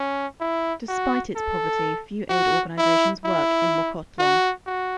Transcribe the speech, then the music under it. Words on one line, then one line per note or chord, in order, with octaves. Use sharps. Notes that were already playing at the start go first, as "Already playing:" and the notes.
Despite its poverty, few aid organizations work in Mokhotlong.
Already playing: C#4
E4
F#4
A4
F#4
E4
E4
F#4
F#4